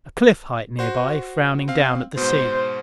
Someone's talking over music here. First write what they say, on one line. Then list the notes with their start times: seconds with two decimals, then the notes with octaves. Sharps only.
A cliff height nearby, frowning down at the sea.
0.79 F#4 C5
1.68 C4 F5
2.17 G#2 B2 C5